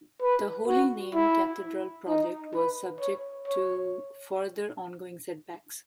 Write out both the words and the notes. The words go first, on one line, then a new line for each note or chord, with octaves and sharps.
The Holy Name Cathedral project was subject to further ongoing setbacks.
B4
F#4
E4
D#4
B4
C#5
C#5